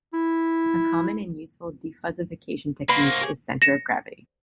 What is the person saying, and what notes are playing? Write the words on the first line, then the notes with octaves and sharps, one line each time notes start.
A common and useful defuzzification technique is "center of gravity".
E4
A#3 F#4 B4 B5 C6
C5
G4 G#4 C#5
A#6 C#7 E7